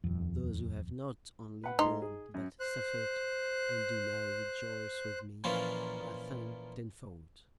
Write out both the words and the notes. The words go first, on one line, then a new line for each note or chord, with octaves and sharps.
Those who have not only borne but suffered, and do now rejoice with me, I thank tenfold.
D#1 F2
B4 F#5 B5
G#2 D#4 C6
G#4
F#2
C5 F#6
A#2 E3 F3 A#3 C#4 F4